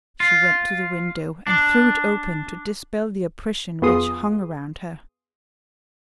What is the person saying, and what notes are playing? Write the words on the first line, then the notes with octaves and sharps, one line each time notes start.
She went to the window, and threw it open, to dispel the oppression which hung around her.
F4
D4
F2 B3 F4 G#4 C6 D#6